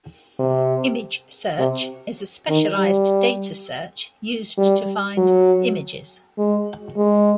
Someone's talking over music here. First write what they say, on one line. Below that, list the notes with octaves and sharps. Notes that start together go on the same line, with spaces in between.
Image search is a specialized data search used to find images.
C3
C3
D#3
G3
G3
F#3
G#3
G#3